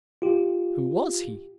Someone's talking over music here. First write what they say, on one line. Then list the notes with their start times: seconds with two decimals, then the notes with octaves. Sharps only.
Who was he?
0.22 F4 G4